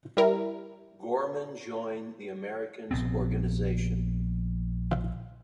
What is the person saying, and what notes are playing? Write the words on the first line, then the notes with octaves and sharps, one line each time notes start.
Gorman joined the Americans' organization.
G3 E4 A#4
A#1 B3 C4